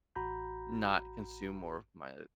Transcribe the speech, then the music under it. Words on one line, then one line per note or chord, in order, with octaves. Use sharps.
not consume more of my
A1 F#4 A#5 B5 G6